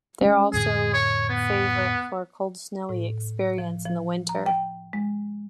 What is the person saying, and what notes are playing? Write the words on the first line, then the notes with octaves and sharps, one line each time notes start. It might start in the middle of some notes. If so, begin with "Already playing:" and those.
They are also favorite for a cold snowy experience in the winter.
G#3 C#4
F2 A2 D3 G#4
C#5
B3
A2
F3
F3
A#5
G5
G#3